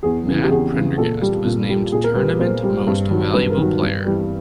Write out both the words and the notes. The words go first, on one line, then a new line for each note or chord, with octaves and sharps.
Matt Prendergast was named Tournament Most Valuable Player.
E2 G#4
C#3 E3
G4
E2 G#4
C#3 E3
A#2 A4
G3
A#2
G3
A#2 G#4
A#4
G3 B4
B4
A#2 C5
G3
G2
D#3 F#3
G2 B4
A#4
D#3 F#3
G2
E3 G3